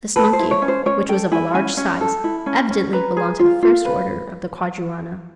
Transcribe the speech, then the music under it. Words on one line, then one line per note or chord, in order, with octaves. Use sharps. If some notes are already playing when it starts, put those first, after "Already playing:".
This monkey, which was of a large size, evidently belonged to the first order of the quadrumana.
A4 B4
C5
E4
C#5
C#4
C5
C#4 C#5
A4 G5
E4 G#5
C#4 G#5
C#4
A4
E4
C#4
C#4
B4 A#5
G#4
F4
F4
B4